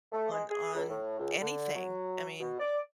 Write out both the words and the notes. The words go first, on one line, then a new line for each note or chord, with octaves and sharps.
on on anything, I mean,
A3
G#3
G#4
C#2
A2
C#2
D3
F#3
B2
D5